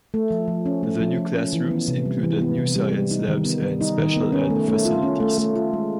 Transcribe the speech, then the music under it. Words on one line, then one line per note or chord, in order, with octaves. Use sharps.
The new classrooms included new science labs and special-ed facilities.
A3
F3
F3
C#4
A3
F3
F3
C#4
E3
B3
C3
G3
E3
B3
C3
G3
G3
D#4
D#3
B3
G3
D#4
D#3
B3
C#4
A3
A3
F4
C#4
A3
A3
F4
G#3